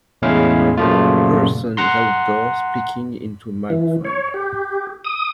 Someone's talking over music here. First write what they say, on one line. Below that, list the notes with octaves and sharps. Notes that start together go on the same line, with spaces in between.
A person is outdoors speaking into a microphone.
E2 A2 G#3 C#4 E4 F5
F#2 A#2 C#3 F3 A3 F4
F#5 A#5 C6
E3
C#5
G4
D#6